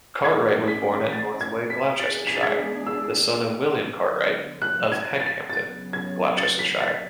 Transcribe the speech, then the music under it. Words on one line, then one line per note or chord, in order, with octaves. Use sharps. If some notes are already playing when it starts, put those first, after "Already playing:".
Cartwright was born at Northway, Gloucestershire, the son of William Cartwright of Heckhampton, Gloucestershire.
E3 A3 C#4 G#4 D5 G#6
B6
A6
G#6
B6
E3 G#3 B3 D4 G#4 A6
B6
A6
G#6
E6
D3 F#3 B3
F#6
G#6
A6
C#3 F#3 B3 A6
G#6
A6
B6
A6